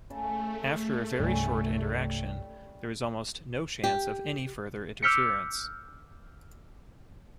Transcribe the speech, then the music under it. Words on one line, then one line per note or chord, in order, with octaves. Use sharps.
After a very short interaction, there is almost no chance of any further interference.
C#3 A3 A5
C2 G2 G3 C#4
G4
D6 E6 F6 G6 B6 C#7